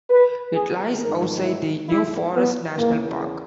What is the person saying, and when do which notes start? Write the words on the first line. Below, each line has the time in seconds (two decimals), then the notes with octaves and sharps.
It lies outside the New Forest National Park.
0.10 B4
0.54 G#4
0.99 G#2 D#3 A#4
1.43 E4
1.88 E4
2.33 B3
2.77 E2 C#3 E3 A#3